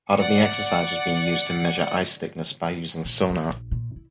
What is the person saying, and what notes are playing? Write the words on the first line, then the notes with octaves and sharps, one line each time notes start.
Part of the exercise was being used to measure ice thickness by using sonar.
D5 F#5 C#7
A#2
D2
A#1
A#2
E4